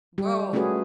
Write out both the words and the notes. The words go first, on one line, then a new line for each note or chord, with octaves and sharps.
"Go on."
G3 G4
A3 C#4 F4 F#4 G#4 B4